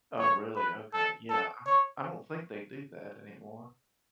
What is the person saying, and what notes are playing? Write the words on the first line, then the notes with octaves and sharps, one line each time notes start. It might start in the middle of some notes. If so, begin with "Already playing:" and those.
Oh, really? Okay, yeah, um, I don't think they do that anymore,
C#5
B4
A4
A4
C#5